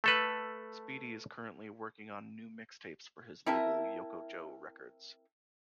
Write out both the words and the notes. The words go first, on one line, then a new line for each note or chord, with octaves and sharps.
Speedy is currently working on new mixtapes for his label Yoko-Joe Records.
A3 A4 B4
C4 E4 A#4 E5 A5